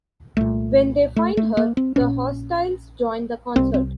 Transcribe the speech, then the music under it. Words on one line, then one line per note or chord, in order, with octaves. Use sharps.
When they find her, the hostiles join the concert.
C2 A#2 A3
A3
A3
A#3
C4
A#1 A#2 C#4
C2 C3 C4
C4